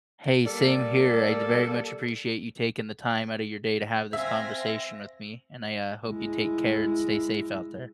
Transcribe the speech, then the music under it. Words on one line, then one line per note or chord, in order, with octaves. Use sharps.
Hey, same here. I'd very much appreciate you taking the time outta your day to have this conversation with me, and I, uh, hope you take care and stay safe out there.
G3 A#3 A4 D5
C4 E5 F5 G#5 A#6
G#3 E4